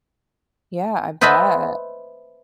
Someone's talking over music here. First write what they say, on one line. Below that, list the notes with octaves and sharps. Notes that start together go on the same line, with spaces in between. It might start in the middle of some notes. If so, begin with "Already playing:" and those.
Yeah, I bet.
B4 C5 D#5 E5 A5 B5